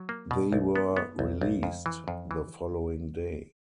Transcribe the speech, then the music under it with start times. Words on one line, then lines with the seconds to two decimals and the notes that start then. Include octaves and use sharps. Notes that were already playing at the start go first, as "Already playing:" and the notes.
They were released the following day.
Already playing: F#3
0.09 A#3
0.31 B2
0.52 B1
0.76 B3
0.97 B3
1.19 B1
1.41 B1
1.63 F2
1.86 E3
2.08 F2
2.31 E3